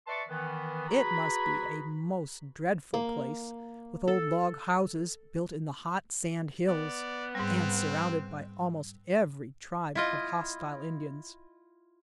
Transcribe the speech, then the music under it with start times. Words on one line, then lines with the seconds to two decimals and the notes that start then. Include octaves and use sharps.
It must be a most dreadful place--with old log houses built in the hot sand hills, and surrounded by almost every tribe of hostile Indians.
0.07 B4 D5 E5 A5 C6 C#6
0.29 D#3 E3 B3
0.88 F#4 G#4 B4 A#5 B5
2.94 A#3
4.08 A4
6.68 B3 D5
7.35 G#2 G3 C4
9.95 E4 F4 D#5